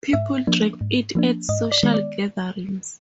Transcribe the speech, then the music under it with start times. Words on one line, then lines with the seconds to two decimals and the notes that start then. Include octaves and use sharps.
People drank it at social gatherings.
0.13 G#2 E5
0.47 F3 A#3 D4
0.81 G#2
1.15 F3 A#3 D4
1.49 G#2 D#5
1.72 D5
1.83 D#3 G#3 B3
1.94 D5